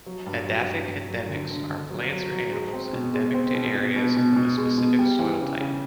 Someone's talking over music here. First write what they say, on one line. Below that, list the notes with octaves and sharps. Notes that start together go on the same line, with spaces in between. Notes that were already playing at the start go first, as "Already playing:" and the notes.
Edaphic endemics are plants or animals endemic to areas of a specific soil type.
F#3
G2
F#3
G2
G2
F#3
D3
D3
D3
F#3
F#3
F#3
G#3
C4
B2
G#3
C4
B2
B2
B2
B2
B2
G#3
B2
G3
E3
C#3
C#3